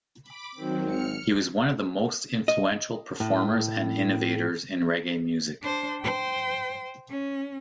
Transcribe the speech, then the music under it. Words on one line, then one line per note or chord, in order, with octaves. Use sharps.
He was one of the most influential performers and innovators in reggae music.
B5 D6
D#3 F#3 C4
G#1 F6 C#7
D#5
A2
D4 C5
C5 G5
C#4